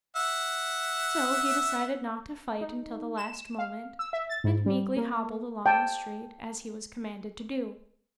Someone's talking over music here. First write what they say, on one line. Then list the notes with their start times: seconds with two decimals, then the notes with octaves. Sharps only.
So he decided not to fight until the last moment, and meekly hobbled along the street, as he was commanded to do.
0.16 E5 F#5
2.61 D#4
3.17 E7
3.58 F5
3.99 E6
4.13 E5
4.29 A6
4.44 G#2
4.66 G3
4.97 A#3
5.66 G5 A5